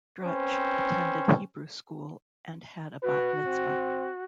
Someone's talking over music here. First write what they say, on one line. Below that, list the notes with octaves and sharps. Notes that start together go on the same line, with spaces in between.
Dratch attended Hebrew school and had a Bat Mitzvah.
C4 C#4 B4 C5
F#4 B4
C4